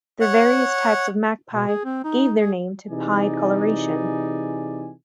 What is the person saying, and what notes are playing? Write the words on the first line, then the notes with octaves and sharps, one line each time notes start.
The various types of magpie gave their name to pied coloration.
C#5 F#5
B2
G#4
C4
D#4
G#4
C3 E3 D#4 G#4 D5 G#5